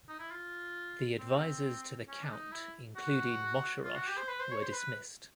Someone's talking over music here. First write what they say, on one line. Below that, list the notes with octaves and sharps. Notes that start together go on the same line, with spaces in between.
The advisers to the Count including Moscherosch were dismissed.
D#4
E4
F4
C4
C#4
D4
D#4
E4
F#4
F4
F#4
G4
C5
B4
C5
C#5
C5
B4